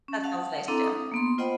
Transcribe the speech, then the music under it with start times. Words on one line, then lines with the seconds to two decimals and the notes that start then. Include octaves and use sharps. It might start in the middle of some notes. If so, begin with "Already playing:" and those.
That sounds nice too.
0.08 C#4
0.23 F5 F#5 A5
0.68 C4 D4 E4 A4 A#5 D6
0.84 D#6
1.12 A#3 B3 C6
1.38 F4 C5 D#5 F#5 G5 B5